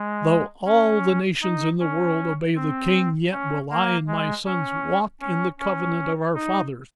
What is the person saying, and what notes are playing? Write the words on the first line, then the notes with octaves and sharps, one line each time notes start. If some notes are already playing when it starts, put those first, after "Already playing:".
'Though all the nations in the world obey the king, yet will I and my sons walk in the covenant of our fathers.
Already playing: G#3
C#4
D#4
C#4
C4
C#4
A#3
G#3
C#4
C#4
C#4
D#4